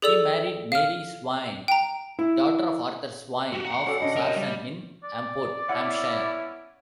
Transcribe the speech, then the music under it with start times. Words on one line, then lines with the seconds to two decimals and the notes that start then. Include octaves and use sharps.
He married Mary Swayne, daughter of Arthur Swayne of Sarson in Amport, Hampshire.
0.02 G#4 A4 D5 E6 F7
0.72 F5 F6
1.68 G5 A#5
2.19 E4
3.53 F#4 G4
3.65 F#5 G5 A#5
3.86 C#4 F#4 A4 D5
4.00 C#3 D4 B4 D#5
4.16 A#4 C#5 E5
4.36 G3
5.04 D5
5.69 B3 C#4 E4 F#5